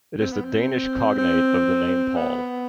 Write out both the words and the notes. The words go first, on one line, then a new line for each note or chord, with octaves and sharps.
It is the Danish cognate of the name Paul.
C4
B3
C4
C4
B3